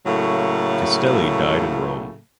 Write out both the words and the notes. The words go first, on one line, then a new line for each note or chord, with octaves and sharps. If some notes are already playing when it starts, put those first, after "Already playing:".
Castelli died in Rome.
A2 C#3 F#3 A3 A#3